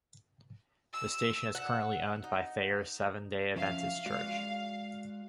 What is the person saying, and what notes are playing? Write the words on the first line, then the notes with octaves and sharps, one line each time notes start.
The station is currently owned by Thayer Seventh-day Adventist Church.
E6
F#5
D#4
F3 C#4 E5 F5
G#3 F#4 D5